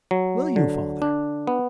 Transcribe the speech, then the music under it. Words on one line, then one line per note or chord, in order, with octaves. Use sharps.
'Will you, father?
F#3
D3
D4
B3